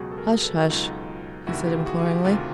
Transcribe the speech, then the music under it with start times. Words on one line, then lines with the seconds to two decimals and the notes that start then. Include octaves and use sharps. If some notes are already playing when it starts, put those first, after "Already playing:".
"Hush--hush!" he said imploringly.
Already playing: C#2 B2 F#3 F#4 G#4
0.11 A4
0.17 G#4 A#4
0.43 A4 B4
0.57 F#4
0.70 C#2 B2 F#3 D#4 F4
1.47 D2 C3 D#3 E4 F#4
1.67 F4 G4
1.86 F#4 G#4
1.99 G#4
2.06 F4 G4
2.24 D2 C3 D#3 F4 G4